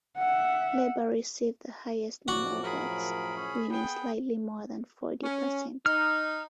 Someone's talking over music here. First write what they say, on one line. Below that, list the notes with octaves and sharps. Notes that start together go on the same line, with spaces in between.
Labour received the highest number of votes, winning slightly more than forty percent.
E5 F#5
F#2 A2 F3 F#4 D5
G#4 A#4 B5
C#4
B3 G#4 G5
C#4
D#4 F6